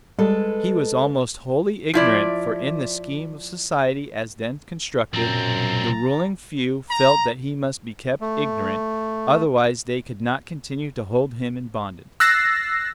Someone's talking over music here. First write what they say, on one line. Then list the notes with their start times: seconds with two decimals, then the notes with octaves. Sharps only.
He was almost wholly ignorant for in the scheme of society as then constructed, the ruling few felt that he must be kept ignorant, otherwise they could not continue to hold him in bondage.
0.19 G3 G#3 A4 B4
1.94 F3 E4 D5
5.14 B1 F#2 A#2 C4 A#5 A6
6.90 A#5
8.21 A3
12.20 E6 F#6 A6 A#6 C7